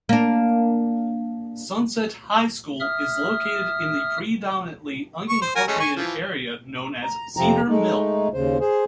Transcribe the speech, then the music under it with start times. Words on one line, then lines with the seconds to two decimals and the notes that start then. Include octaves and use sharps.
Sunset High School is located in the predominantly unincorporated area known as Cedar Mill.
0.09 A#3 D4
2.80 E5 D#6 F6
5.29 C#6
5.42 C5
5.56 F#4 A#4 G#5
5.68 G#3 A3 C#4
5.80 G#5 C#6
5.96 E3 F3
7.03 A#5
7.37 F2 C3 F3 C4 A#5
7.68 G#3 A3 D#4
8.34 D#2 C#3 C5
8.61 G#4 C5